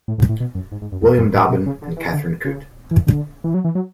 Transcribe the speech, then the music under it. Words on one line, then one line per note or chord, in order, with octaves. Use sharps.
William Dobbin and Catherine Coote.
A2
G#2
A2
B2
F#2
G#2
G#2
F#2
E2
F#2
A2
B2
C#3
D3
E3
D3
C#3
E3
D3
E3
F#3
E3
F#3